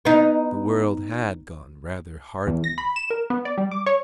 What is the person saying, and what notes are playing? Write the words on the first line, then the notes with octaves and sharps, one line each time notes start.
The world had gone rather hardly with her.
B3 D#4
E2
A#6
B5
E7
A#4
B3
D5
G3
D6
C#5